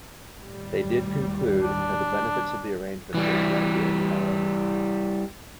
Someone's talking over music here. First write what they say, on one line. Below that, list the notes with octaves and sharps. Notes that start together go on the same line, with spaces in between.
They did conclude that the benefits of the arrangement were exaggerated, however.
D#2 A2 G3
D4
E3 G3